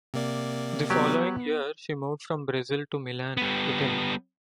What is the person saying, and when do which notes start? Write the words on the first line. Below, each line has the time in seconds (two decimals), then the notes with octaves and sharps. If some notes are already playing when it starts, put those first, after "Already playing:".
The following year she moved from Brazil to Milan, Italy.
0.14 C3 A#3 D5
0.90 F#3 B3 G4
3.37 G3 B3